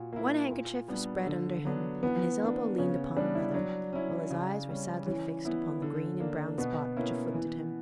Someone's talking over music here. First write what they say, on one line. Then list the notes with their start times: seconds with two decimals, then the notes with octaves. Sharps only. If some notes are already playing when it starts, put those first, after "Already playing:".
One handkerchief was spread under him, and his elbow leaned upon another, while his eyes were sadly fixed upon the green and brown spot which afflicted him.
Already playing: A#2 F#4
0.13 A#3 E4
0.51 A#2
0.88 G3 B3 D4
1.26 D3
1.65 F#3 B3 D4
2.03 E3 B3
2.40 A#3 D4
2.78 C#3 C#4
3.17 G3 B3 D4
3.35 E4
3.54 F#3 D4
3.93 C#4 E4
4.30 C#3
4.69 G3 C#4
5.06 E3 C#4
5.45 B3 E4
5.82 D3
6.20 A#3 D4
6.58 B2 B3
6.97 A#3 C#4 E4
7.34 E3